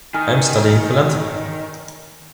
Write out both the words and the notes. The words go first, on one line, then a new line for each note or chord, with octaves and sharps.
I am studying philanthropy.
D#3 G#5 F6